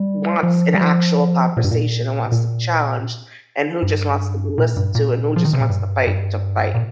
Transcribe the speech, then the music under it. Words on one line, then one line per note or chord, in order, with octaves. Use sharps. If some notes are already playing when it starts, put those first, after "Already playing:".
wants an actual conversation and wants to be challenged, and who just wants to be listened to and who just wants to fight to fight.
Already playing: G3
F3
G3
F3
A#2
G2
A#2
A#2
G2
A#2
G2
A#2
F3
D#3
C3
A#2
G2
G2
A#2